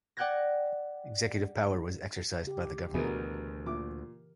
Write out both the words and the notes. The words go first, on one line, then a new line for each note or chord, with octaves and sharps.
Executive power was exercised by the government.
D5 F#5 G5 F#6 G#6 A#6
C#3 G4
D2 B2 E3 B3 G#4 A#4
A#2 D6